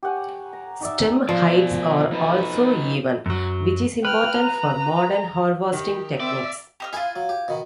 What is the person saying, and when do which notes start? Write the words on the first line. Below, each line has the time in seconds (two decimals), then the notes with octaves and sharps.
Stem heights are also even, which is important for modern harvesting techniques.
0.03 G4 C#5 F#5 G#5
0.53 A#5
0.81 D#4 D5 E5
1.29 B2 F3 D5
2.13 D#4 B4
3.26 F#2 F#3
4.05 B4 G5 F6
4.37 A#5
5.73 D#3 G4
6.20 C4 D5 E5
6.80 G4 D#5 F6
6.93 E4 F4 G#4 G#5
7.16 F#3
7.29 G4
7.48 B2 D#3